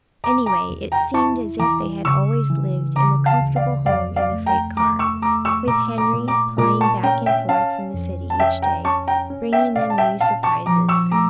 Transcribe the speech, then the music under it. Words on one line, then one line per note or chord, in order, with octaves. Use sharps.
Anyway it seemed as if they had always lived in the comfortable home in the freight car, with Henry plying back and forth from the city each day, bringing them new surprises.
E2 A#5 D6
A#5 D6
E2
G5 A#5
E4 A5 C#6
E3 A#5 D6
C#3 C#6 E6
E3
C#3 A#5 D6
F5 A5
D2
D5 F5
F2 D5 F5
D5 F5
A3
G5 A#5
A3 A#5 D6
C#6 E6
A3 A#5 D6
C#6 E6
A#2 A#5 D6
A#5 D6
A#2
A#5 D6
A#2 A#5 D6
A5 C#6
C#4 G5 A#5
E5 G5
C#4 F5 A5
F2
A5
C#4 E5 G5
G5 A#5
C#4 A5 C#6
G5 A#5
C#4
E5 G5
A#2 D5 F5
A5
E5 G5
A#2 F5 A5
A5 C#6
F3 A#5 D6
C#6 E6
A3 A#5 D6